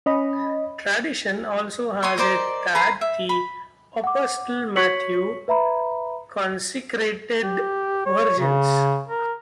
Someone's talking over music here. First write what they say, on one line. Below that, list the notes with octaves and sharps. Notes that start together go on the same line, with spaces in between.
Tradition also has it that the Apostle Matthew consecrated virgins.
C#4 D#5 B5
C#5 C6 D#6
A#4 C5 D5 D#5
B4 A#5 C6
E5
B5
F#5 D6
F#4 C#5 C#6 B6 C#7 F#7
B4 E5 A#5 B5
G4
C#5
C#3
A#4